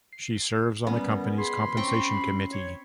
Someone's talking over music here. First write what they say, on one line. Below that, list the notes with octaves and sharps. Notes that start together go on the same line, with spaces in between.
She serves on the company's compensation committee.
C7
G3 B3 C#4 A#4
G#4 B5 C6
C4 C#4 G5 C#6
C#5